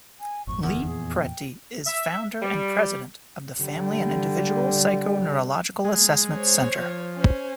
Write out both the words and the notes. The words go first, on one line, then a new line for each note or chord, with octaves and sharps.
Li Preti is founder and president of the Family and Individual Psychoneurological Assessment Centre.
G#5
G#1 F2 A#2 C#6
F#1 E2 D3 D#3 A#4
F2 A#2 G#4
G5
E5
G3
D3 G3
G#3
C5 C#5
F3
C#4 C5